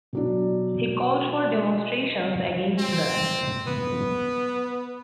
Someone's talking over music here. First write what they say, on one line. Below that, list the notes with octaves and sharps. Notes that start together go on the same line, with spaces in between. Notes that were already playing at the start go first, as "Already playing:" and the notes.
He called for demonstrations against them.
B2 F#3 D4
C4
B3